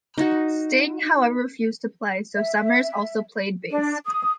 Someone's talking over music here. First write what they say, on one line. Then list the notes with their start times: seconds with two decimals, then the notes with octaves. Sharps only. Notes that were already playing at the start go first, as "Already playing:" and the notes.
Sting, however, refused to play so Summers also played bass.
0.18 D#4 F#4
2.36 E5
3.70 D4
4.06 D#6